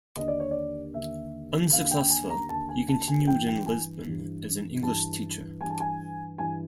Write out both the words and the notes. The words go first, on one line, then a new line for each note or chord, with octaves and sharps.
Unsuccessful, he continued in Lisbon as an English teacher.
D#2 D3 D#5
D5
C#5
D5
D#2 D3 E5
D#2 D3 F5
G5
G#5
A#5
D#2 D3 A5
G#5
A5
G#5
G2 E3 G5
G5
G#5
G2 E3
G2 E3 A5
G2 E3 G#5
A5
G#5
G2 E3 G#5